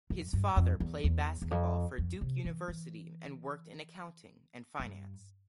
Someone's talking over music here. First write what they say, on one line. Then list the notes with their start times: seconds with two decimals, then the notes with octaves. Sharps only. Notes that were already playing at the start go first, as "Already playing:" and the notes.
His father played basketball for Duke University and worked in accounting and finance.
0.10 F2
0.33 G2
0.56 F2
0.80 E2
1.04 E2
1.42 E2
1.51 F2
1.98 F2
2.21 C3
2.45 E3
2.68 E3
4.80 G2